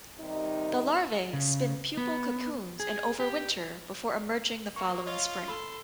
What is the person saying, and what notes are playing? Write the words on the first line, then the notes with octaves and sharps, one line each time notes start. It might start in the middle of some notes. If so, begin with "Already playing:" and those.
The larvae spin pupal cocoons and overwinter before emerging the following spring.
C3 D#3 G3 D#4
C#3
B3
G#4
G4
A#3 C#6
F4 C#5 D#5 F5
A4 B5 C6